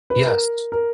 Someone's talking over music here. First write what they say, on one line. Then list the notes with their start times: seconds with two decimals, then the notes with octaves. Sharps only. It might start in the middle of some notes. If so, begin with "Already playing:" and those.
Yes, t
0.10 B4
0.26 A#4
0.72 A#4